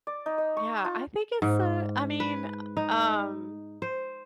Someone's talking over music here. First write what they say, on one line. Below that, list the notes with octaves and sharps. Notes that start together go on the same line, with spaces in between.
Yeah, I think it's, uh I mean, um,
D5
D#4
D#5
C#6
F4
G#2
B4
D#4
C5